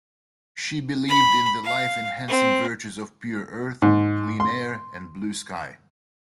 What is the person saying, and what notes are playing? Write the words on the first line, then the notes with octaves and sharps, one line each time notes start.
She believed in the life-enhancing virtues of pure earth, clean air and blue sky.
B5
F5
C4
G#2
C6